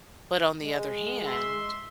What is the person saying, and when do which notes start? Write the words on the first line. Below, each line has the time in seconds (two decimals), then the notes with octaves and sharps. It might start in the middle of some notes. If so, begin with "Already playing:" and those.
But on the other hand,
0.62 G#3
1.24 E5 C6